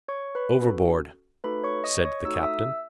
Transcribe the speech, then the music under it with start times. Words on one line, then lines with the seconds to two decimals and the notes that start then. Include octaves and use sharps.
"Overboard!" said the captain.
0.08 C#5 C#6
0.35 B4 B5
0.62 C#4 F#4 A4
1.44 A3 D#4 F#4 A4 B4 B5
1.63 C#5 C#6
1.84 D#5 D#6
2.05 C#5 C#6
2.25 A3 D#4 F#4 A4 E6
2.34 D#6
2.43 E5 E6